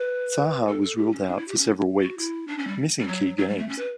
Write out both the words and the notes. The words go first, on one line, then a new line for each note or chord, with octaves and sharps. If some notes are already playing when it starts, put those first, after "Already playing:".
Saha was ruled out for several weeks, missing key games.
Already playing: B4
A4
A4
G4
C#4
D4
E4
G4
C#4
F#4
E4
D4
C#4
G3
G3
F#3
F#3
G3
A3
C#4
B4